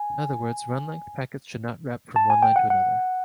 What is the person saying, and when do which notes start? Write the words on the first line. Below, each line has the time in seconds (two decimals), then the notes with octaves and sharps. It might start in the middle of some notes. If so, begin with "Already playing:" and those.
In other words, Run-length Packets should not wrap from one line to another.
Already playing: G#5
2.16 A5
2.30 G#5
2.43 G5
2.56 F#5
2.70 F#5